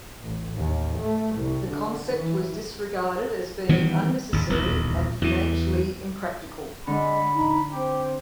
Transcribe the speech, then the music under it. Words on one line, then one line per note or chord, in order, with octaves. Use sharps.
The concept was disregarded as being unnecessary and financially impractical.
A1
D#2
A3
C2
D3
E3
D#3 E3 G3 B3
G#1 D#2
D#1 B1 E2
E2 E3
D3 G#3 B5
D#4
C4 G4